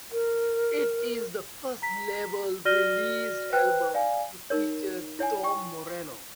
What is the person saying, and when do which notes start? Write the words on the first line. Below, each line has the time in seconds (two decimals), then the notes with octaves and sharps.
It is the first label-released album to feature Tom Morello.
0.12 A#4
1.82 A#5 B6
2.65 F#4 D5 F6 A#6 D#7 G7
3.53 B4 C5 G5 F#6
3.94 D5 F5 G#5
4.50 D#4 A#4 C#5
5.19 E4 C#5 F#5 G#5
5.44 G5 C#6